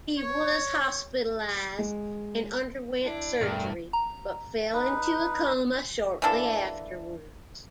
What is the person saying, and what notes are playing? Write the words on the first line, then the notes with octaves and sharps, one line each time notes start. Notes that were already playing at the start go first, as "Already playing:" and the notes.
He was hospitalised and underwent surgery, but fell into a coma shortly afterwards.
C#5
G#3
D4 E4
E1 G2 A3 A#4 F6
A#5
D#4 B4
E3 A#3 D4 A4